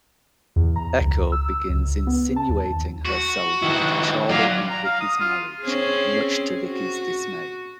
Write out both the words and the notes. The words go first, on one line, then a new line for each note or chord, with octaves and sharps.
Echo begins insinuating herself into Charlie and Viki's marriage, much to Viki's dismay.
E2
A#5
C#2
E6
C#2
B3
A5
D#2
F#4
D#3 E4
F#3 D5 F5
A#5
F5
D#6
F4
C4 C#4 G#4
F#4